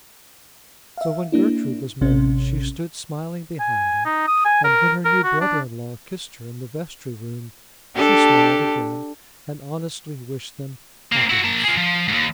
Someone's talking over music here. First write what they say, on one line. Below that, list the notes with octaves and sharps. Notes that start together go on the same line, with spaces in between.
So when Gertrude was married she stood smiling behind her; and when her new brother-in-law kissed her in the vestry-room she smiled again, and honestly wished them happiness.
E5 F5
A#3 D4 E4
A1 C3 C#4
G#5
D#4
D#6
G#5
A#4
A#4
F#4
D4
D4 G4 A4
A#3 C4
E4 F#4
A#3 A5
F4 G#4
F3
D#2 G#2